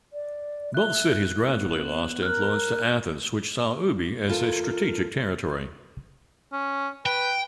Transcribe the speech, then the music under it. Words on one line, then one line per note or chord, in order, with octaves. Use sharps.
Both cities gradually lost influence to Athens, which saw Euboea as a strategic territory.
D5
E5 F#6 G7
B3
F#7
A#4 F6 F#6
E2 F4 A4 A#4
C#4
B4 G5